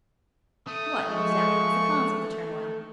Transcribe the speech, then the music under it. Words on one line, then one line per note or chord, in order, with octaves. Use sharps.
What, exactly was the cause of the turmoil?'
A3 D#6
F3 G#3 C#6